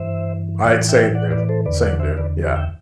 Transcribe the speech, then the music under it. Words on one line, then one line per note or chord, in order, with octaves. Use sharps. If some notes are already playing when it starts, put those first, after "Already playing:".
I same, dude. Same, dude, yeah.
Already playing: G2 E3 C5 E5
A2 E3 D5 F#5
E5 G5
D5 F#5
B4 D5
A4 C5
E2 D3 B4 D5
D5 F#5
C5 E5
B4 D5
G4 B4
E5 G5